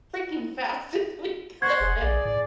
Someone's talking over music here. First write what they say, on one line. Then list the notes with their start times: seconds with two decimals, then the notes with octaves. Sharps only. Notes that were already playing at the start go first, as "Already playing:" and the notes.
freaking fast as we could.
1.62 C5 F#5 C6 C#6 G#6
1.80 F1 G#4
2.01 A#1 D5
2.25 A2 D5